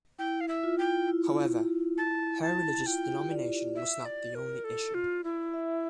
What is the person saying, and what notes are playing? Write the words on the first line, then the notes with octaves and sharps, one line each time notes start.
However, her religious denomination was not the only issue.
E4 G5
F5
E5
F4
G5
E4
A5
A5
F4 G5
G4
D5
E5
D5
A#4
A4
F4
E4
E5